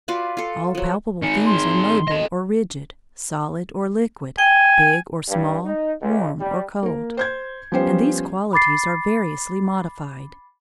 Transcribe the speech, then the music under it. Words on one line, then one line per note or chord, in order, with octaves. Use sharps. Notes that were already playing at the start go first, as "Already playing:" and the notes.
All palpable things are mobile or rigid, solid or liquid, big or small, warm or cold, and these qualities are variously modified.
F4 F#4 B4 D5
F4 A4
F3 F#3
D#3 G#4 C#7
C6
A4 D#5
G5 G#5
G2
D#4
C#2
G3
A#3 A#4
C5 G6 G#6
F3 G3 B3 C#4 G4 C5
B5 D6 A6 C7